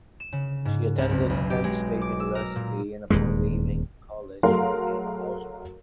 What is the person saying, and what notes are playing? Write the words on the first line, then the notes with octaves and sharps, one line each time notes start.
She attended Kent State University, and upon leaving college she became a housewife.
E7
C#3
G#2
C#2
F#1
B1
G4
G#3
D6
E6
A#4
A#2
D#1 E2 G#2 G#3
F#3 A3 G#4 A#4 F5 C6